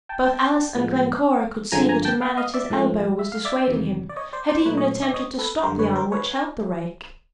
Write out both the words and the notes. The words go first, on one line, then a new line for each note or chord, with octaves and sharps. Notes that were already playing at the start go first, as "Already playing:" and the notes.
Both Alice and Glencora could see that a man at his elbow was dissuading him,--had even attempted to stop the arm which held the rake.
G5 A5
G5 A5
A2 F3 G#3
G2 D3 F3 G#3 G#5 A#5
G#5 A#5
G5 A5
F5 G5
D#5 F5
D5 E5
G#2 F3 A3
E5
F5
D5 E5
E2 C3 D#3
D5
C#5 D#5
C5 D5
C5 D5
C5
A#2 F#3 A3 B4 C#5
C#5 D#5
D5 E5
C#5 D#5
A4 B4
F#2 D3 G3 A#4 C5
B4 C#5
A#4 C5
B4 C#5